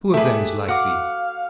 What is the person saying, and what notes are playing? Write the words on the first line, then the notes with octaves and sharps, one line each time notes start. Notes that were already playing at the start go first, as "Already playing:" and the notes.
Who of them is like thee?
A3 G4 G#4 B4 E5
F#4 F5 F#5 D6 C#7